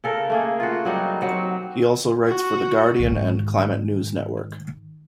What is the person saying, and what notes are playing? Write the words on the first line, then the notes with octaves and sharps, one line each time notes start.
He also writes for "The Guardian" and Climate News Network.
C#3 A4 A#4
A3 A#3 G#4
F4 F#4
F#3 G3 D#4
F#3 C4
F#4
G#2 D#3